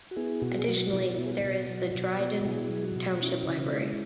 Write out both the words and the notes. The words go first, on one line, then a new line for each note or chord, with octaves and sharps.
Additionally there is the Dryden Township Library.
F#4
B3 E4 G#4
B2 F#4
G#4
F#3 F#4
B2 E4
F#4
B3 E4
G#4
F#4
B2
F#3
B2
B3
B2 E4 G#4
F#3
F#4
B2
C#4 E4
C#3
G#3